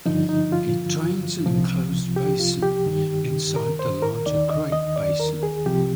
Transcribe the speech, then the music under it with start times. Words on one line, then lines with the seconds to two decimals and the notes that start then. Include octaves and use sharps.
It drains an enclosed basin inside the larger Great Basin.
0.06 G2 D3 F3 D#4
0.29 D#4
0.52 F4
1.46 C2 C3 F3
2.16 G4
2.39 F4
2.63 G4
2.86 G2 D#3
3.56 A#4
3.79 C5
4.02 A#4
4.26 D#2 D#3 D5
4.50 D#5
4.72 D#5
4.96 D5
5.20 A#4
5.43 G#4
5.66 C2 C3 F3 G4